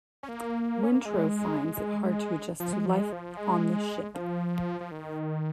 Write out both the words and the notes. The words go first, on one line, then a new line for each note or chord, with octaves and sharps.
Wintrow finds it hard to adjust to life on the ship.
C#4
A#3
C#4
A#3
G#3
F3
G#3
F3
G#3
F3
G#3
F3
F3
D#3